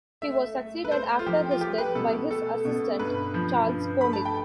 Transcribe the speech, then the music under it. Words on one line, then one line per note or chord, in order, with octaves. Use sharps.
He was succeeded after his death by his assistant Charles Konig.
A3 E5
A3
B4
A3 C5
F4
F3 G4
F4
A3 G4
B4
B2 A4
A3 A4
B2
G2 B4
F3
G2
A3 B5
A5
G5